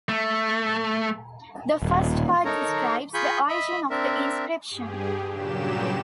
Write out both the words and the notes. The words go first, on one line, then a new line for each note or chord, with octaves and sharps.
The first part describes the origin of the inscription.
A3
D#1
D#4 A4 A#4 C#5 A#5
F4 G#4 G#5 B5 C#6 G6
D#5 E5 B5
C4 D4 A#4 E5
G2 G4 G#4
G2 A#2 C#3 F#3 G4 E7